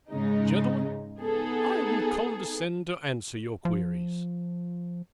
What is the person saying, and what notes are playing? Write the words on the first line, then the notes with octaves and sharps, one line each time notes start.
Gentlemen, I will condescend to answer your queries.
G#2 C#3 G#3 D#4
B3 D#4 G#4 A4
F3